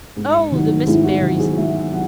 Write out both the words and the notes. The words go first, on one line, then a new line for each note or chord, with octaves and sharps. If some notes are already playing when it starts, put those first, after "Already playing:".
Oh, the Miss Berrys!
G#2
D#3 F#3
G#2 E4
F#4
D#3 F#3 F#4
G#4
G#2 E5
F#3 F#5